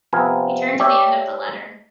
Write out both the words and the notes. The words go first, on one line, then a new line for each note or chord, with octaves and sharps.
He turned to the end of the letter.
C3 F3 B3 C4 A#4 G#5
G4 C#5 D5 E5